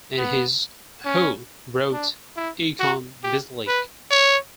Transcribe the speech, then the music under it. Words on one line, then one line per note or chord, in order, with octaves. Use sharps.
In his Who wrote Ikon Basilike?
B3
C#4
D4
E4
F#4
G4
B4
C#5